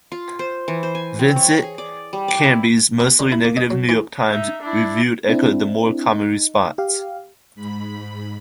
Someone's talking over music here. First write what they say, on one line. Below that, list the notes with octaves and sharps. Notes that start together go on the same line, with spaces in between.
Vincent Canby's mostly negative "New York Times" review echoed the more common response.
F4
C5
E3
C5
G#5
C4
C#5
G#4
D5
G3
D5
E4
B3
D3
E4
A#3
D#5
F#3
E3
D#4 E5
D4 E4
C4 D4 E4
D#4
G4 F5
G#2 B5